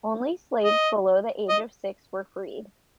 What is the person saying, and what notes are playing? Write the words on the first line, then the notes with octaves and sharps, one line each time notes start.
Only slaves below the age of six were freed.
D#5
D#5